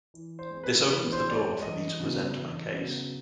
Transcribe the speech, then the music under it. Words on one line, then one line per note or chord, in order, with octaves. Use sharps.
This opens the door for me to present my case.
E3
C5
G#3 C4
B4
E3 B4
C5
G#3 C4 D5
C#5
E2 D#5
C#3 F#3 B3
E2
C#3 F#3 B3